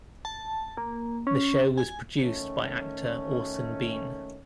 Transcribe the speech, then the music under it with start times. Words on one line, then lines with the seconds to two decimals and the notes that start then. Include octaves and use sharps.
The show was produced by actor Orson Bean.
0.25 A5
0.77 A#3
1.27 C#4
1.78 G#5
2.21 D#3 A3 C#4